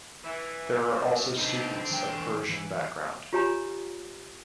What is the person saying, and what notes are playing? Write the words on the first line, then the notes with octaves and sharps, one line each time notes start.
There are also students of Persian background.
E3
F#2
D3 C4 D#4 B4
E3 G5
E3
F4 G4 C#5 G#5 A#5 B5